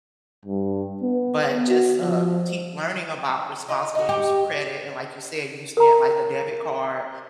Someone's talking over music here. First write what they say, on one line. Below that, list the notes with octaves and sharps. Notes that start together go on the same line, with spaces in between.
but just, uh, te keep learning about responsible use of credit and like you said, using it like a debit card
G2
B3
F#4
F3
F4 D#5
D#4 F#4
G4
A#4 A#5